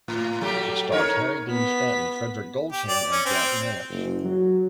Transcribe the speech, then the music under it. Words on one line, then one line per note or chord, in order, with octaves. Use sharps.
It stars Harry Dean Stanton, Frederic Golchan and Jack Nance.
A2
F#3 A3 G4
D#4 A#4 C#5
B3 B6
G4
D5
C#4
C4
F#1
F#3